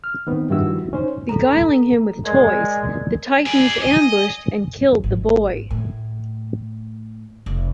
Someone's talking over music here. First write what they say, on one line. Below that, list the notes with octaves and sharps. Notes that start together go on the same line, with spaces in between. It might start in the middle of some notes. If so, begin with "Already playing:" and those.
Beguiling him with toys, the Titans ambushed and killed the boy.
F6
D#3 B3 C4 D#4
G2 D#3 F3 E4 F#4 E6
C#4 D#4 C5
A4 A#5
G#3 A#4 D5 G#6
G#4 D5 G#5
D#5
G#1
A2
F1